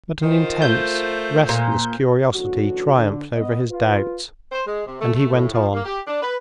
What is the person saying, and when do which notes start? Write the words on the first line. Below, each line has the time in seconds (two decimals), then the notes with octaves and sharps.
But an intense, restless curiosity triumphed over his doubts, and he went on.
0.22 D#3 F4 A#4 C5
0.62 A3 G6
1.49 A#2
2.34 A1 D3 F#3 F#4
2.94 D3
3.36 B3 D#5
3.70 F4 B4
4.52 C5
4.66 G#3
4.86 C3
5.00 A3
5.14 A3
5.33 A2
5.53 F3
5.73 A#3
5.85 G4
6.07 D4
6.21 B4